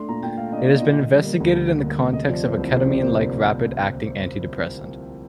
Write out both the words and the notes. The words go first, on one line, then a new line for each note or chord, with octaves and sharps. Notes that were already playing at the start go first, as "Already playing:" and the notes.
It has been investigated in the context of ketamine-like rapid acting antidepressant.
Already playing: A3 D4 C6
A#2 A#5
A#2 G5
A3 F5
D4 D#5
D5
A#2
A#2 D#5
D3
G3
A#3
D2
D3
G3
A#3
D2
C3 D#5
F3 D5
A#3 C5
C2 C5
C3 C5
F3 D5
A#3 C5
D5